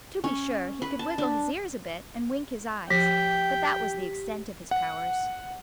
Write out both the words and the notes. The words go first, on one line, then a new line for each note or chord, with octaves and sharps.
To be sure, he could wiggle his ears a bit, and wink his eyes; but that was the extent of his powers.
C#4
B4
A5
D4
F3 G4 G5 B6
F#5